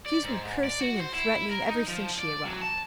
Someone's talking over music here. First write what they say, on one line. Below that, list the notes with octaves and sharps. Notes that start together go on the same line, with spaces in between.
She has been cursing and threatening ever since she arrived.
D5
G#2
D5
F#4
C5
E4
A#4
D#4
F3
D5
F#3
A5